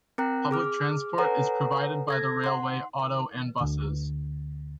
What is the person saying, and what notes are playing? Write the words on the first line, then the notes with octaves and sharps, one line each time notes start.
Public transport is provided by the Railway, auto and buses.
C4 A#4 G5 A#5 F#6
G#4 D6 F6
A4 B4 C#5 F#5 G#5 A#5
A4 G#6 A#6
F#5 C6
D2 D3